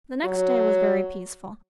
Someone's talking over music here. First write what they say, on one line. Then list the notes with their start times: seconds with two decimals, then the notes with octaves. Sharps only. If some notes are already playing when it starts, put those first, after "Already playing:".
The next day was very peaceful.
0.24 F#3